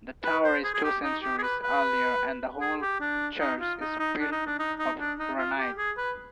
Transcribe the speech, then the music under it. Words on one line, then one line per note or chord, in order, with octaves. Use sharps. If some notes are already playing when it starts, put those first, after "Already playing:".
The tower is two centuries earlier and the whole church is built of granite.
B4
C5
G#4
G#4
G4
D#4
G4
G#4
B4
B4
G#4
G4
D4
D#4
F4
D#4
D#4
D4
D#4
D4
D#4
D#4
D4
D#4
F4
G4
G#4
B4